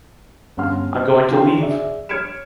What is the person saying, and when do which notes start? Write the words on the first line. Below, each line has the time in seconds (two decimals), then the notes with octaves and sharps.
I’m going to leave! ...
0.57 G1 C#4 F5 F#5 C6 F6
0.95 F#4 C5
1.30 D4 F#4 C#5 G5 A#5 C6
1.58 G#4 D5 E5
2.09 C#5 F6 G#6 C#7 D7 E7